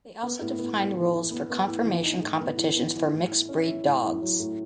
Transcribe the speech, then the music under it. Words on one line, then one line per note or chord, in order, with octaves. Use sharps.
They also defined rules for conformation competitions for mixed-breed dogs.
B3
A2
B3
A2
E3
E3
B3
B3
A2
E3
D#4
A2
B3
E3
B3
E3
A2
E4
C#4
E4
A2
E4
F#3
A2